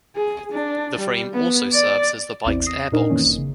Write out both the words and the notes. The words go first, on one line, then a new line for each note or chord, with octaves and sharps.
The frame also serves as the bike's airbox.
G#4
D4
G3
B3
D5
A1 E2 C4 E4 D5
D#6 A#6 C7
A#2 D4 D#4 A#4 D#5 D#6
F#2 D#3 E3 A#3 C4 C#4
G1
C#3